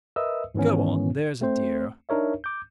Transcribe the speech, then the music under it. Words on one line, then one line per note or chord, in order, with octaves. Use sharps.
Go on, there's a dear.
A#4 B4 D#5 E5 D#6 E6
G#2 D#3 E3 B3 C#4
A3 C4 C5
D4 D#4 A#4 C#5 E5
D6 G6